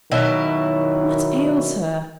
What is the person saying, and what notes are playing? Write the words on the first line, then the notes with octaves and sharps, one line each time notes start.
"What ails her?"
B2 D#3 F#3 E4